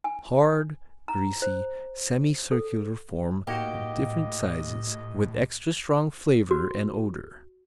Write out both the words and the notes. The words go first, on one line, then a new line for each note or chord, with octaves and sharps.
Hard; greasy; semicircular form of different sizes, with extra-strong flavor and odor.
G#5
A#5
C5
A4
A2 A#3 D#4 F#4 G4 D#5
F#4